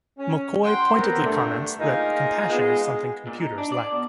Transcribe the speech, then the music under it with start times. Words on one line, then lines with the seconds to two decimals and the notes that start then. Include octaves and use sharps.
McCoy pointedly comments that compassion is something computers lack.
0.18 C#4
0.64 F#3 F#5 G5 C6
0.93 B3 C4 G4 A#4
1.24 G2 D3 A3
1.80 A#3 D#4 F4 G#4 A#4
2.50 G#3 B3
3.27 A#2
3.40 D#4
3.58 D4
3.72 D5
3.93 B2